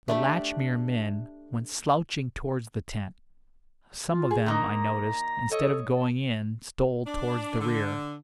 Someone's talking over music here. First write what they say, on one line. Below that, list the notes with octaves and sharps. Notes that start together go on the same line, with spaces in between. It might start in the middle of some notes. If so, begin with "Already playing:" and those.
The Latchmere men went slouching towards the tent; some of them, I noticed, instead of going in stole towards the rear.
A3 D4 G4
F4
G#4
D3 A#3 D#4 A#5
A4 C#5 D#5
A5
D4
D3